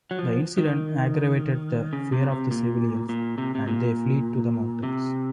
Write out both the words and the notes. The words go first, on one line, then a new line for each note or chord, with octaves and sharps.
The incident aggravated the fear of the civilians and they fled to the mountains.
F#3
F3
D#3
C#3
C3
C3
A#2
A#2
C3
C3
A#2
C3